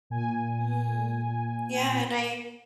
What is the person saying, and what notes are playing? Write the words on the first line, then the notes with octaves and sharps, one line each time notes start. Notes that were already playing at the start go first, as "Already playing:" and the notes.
Mm. Yeah, and I
A#2 G#5